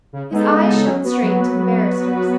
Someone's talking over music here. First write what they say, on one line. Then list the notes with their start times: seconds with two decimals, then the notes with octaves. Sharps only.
His eyes shone straight into the barrister's.
0.13 C#3
0.31 G#3 B3 D#4 A4
0.50 C#3
0.68 G#3 B3 D#4 A4
0.86 F#3
1.04 B3 F#4 B4
1.22 F#3